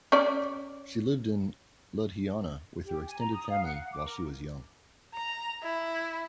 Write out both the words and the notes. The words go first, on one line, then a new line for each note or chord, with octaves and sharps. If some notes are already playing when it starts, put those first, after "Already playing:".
She lived in Ludhiana with her extended family while she was young.
C#4 D5
G4
G#5
A#5
D#6
F5
F#5
F#5
D6
A#4
A#5
E4